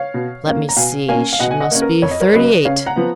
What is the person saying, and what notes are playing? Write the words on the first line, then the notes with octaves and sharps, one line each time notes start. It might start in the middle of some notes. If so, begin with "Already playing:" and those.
Let me see--she must be thirty-eight.
Already playing: C#5 F5
B2
A#3 C#4
A#5
B2 F5 G#5
A#3 C#4 F5 G#5
F5
B2 D#5 F#5
G#5
D#5 F#5
A#3 C#4
A#4
F2 C#5
D#5
A#4 C#5
C#3 F#3 B4 D#5
C#3 C#5 F5
F#5 A#5
F3 B3